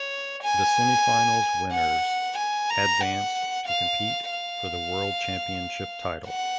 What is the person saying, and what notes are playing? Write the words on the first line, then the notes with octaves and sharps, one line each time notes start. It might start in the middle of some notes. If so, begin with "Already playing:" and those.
The semifinals winners advance to compete for the World Championship title.
Already playing: C#5
G#5
F#5
G#5
A#5
F#5
F5
F5
F#5